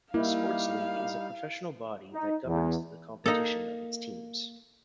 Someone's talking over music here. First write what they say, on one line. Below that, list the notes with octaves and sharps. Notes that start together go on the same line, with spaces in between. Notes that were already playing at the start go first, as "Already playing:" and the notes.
A sports league is a professional body that governs the competition of its teams.
G3 A#3 D#4 E4 F5
D#4
E2
A#3 D#4 A4